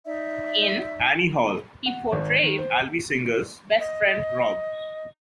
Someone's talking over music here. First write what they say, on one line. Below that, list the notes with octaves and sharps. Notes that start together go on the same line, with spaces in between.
In "Annie Hall", he portrayed Alvy Singer's best friend Rob.
D#4 D5 E5
F#5
G#1
D#3
C5
D#5